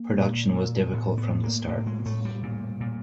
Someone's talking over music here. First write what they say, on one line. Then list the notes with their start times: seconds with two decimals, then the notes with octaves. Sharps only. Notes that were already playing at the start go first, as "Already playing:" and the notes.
Production was difficult from the start.
Already playing: A#3
0.17 A#2
0.55 A#2
0.93 A2 B3
1.18 B3
1.30 A2
1.44 A#3
1.67 A2 A#3
1.86 G#3
2.06 A2 A3
2.25 G3
2.43 A#2
2.80 A#2